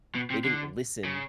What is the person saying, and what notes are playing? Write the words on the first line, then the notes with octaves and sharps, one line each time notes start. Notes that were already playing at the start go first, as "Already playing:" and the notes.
they didn't listen
B2
C3
D3
C#3